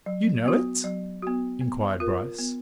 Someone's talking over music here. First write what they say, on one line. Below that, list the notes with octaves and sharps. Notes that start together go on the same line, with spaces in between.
"You know it?" inquired Bryce.
F#3
B3 F#4
F#3
B3 F#4
B3
F4 A#4
B3